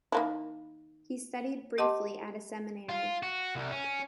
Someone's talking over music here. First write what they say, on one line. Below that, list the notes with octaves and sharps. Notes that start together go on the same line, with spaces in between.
He studied briefly at a seminary.
D#3 A#3 E4
G4 D#5 F#5 A5 C6 D6
F4
F#4
C2
C#4